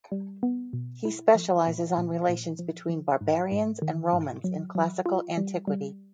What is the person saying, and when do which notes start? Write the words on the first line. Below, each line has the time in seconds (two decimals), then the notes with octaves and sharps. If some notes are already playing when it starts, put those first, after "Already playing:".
He specializes on relations between "barbarians" and Romans in classical antiquity.
0.12 G3
0.43 B3
0.73 B2
1.05 E4
1.35 F3
1.67 A#2
1.97 A#2
2.29 A#2
2.59 F3
2.89 F3
3.21 G#2
3.52 G#2
3.82 D#3
4.13 G#2
4.44 F#3
4.75 F#3
5.06 F4
5.37 G3
5.67 G3